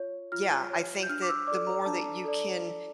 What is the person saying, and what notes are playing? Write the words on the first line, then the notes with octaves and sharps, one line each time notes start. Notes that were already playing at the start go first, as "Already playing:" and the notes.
yeah, I think that the more that you can
Already playing: F4 C#5
F4 F6
C#5
G6
D4 F6
D6
E6
A4 D5 D6
A#5
D4 A5
A4 D5